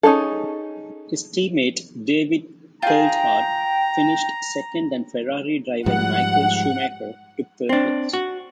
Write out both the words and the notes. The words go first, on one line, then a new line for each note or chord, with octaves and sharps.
His teammate David Coulthard finished second and Ferrari driver Michael Schumacher took third place.
C#4 D#4 F#4 G#4 A4
F4 G#4 G5 A#5
G#2 F3 G3 F#5
C4 D4
F#4